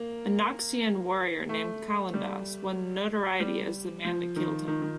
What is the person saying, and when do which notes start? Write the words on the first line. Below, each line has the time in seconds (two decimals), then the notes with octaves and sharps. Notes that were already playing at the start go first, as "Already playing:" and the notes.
A Naxian warrior named Calondas won notoriety as the man that killed him.
Already playing: A#3
1.49 A3
2.14 G3
3.40 G3
4.05 F3
4.36 D#3
4.68 D#3
4.82 D#3